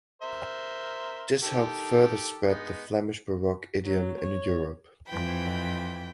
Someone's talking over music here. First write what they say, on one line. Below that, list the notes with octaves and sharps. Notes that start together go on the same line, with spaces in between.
This helped further spread the Flemish Baroque idiom in Europe.
A#4 C5 E5
D#3 G4 A4
G#3 B3 D#4
F#3
C#5
F2 E3 G5 B5